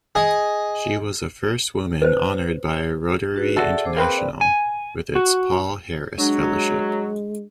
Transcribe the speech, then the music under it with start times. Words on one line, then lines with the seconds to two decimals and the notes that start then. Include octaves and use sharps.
She was the first woman honored by Rotary International with its Paul Harris Fellowship.
0.15 G#4 D#5
2.02 B4 C5
3.34 D4 F#4 B4
3.56 F#4 G#4 A4 D5 E5
3.85 G#4 C5 D6
3.96 A#3 C4 B4
4.17 D5
4.41 G#5
5.15 F#4
6.18 F#3 G#3 D4